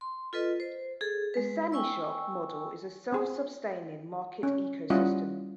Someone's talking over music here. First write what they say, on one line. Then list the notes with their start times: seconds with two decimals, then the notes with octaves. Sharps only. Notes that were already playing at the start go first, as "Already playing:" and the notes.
The SaniShop model is a self-sustaining market ecosystem.
0.01 C6
0.33 F4 A4 B4 D#5
0.60 C5
1.01 G#4 A4
1.34 G#3 B4
1.72 G5 G#5 C#6 E6
3.12 C4 G#4
4.43 C#4
4.90 G3 C#4 E4 F4 D#5 F#5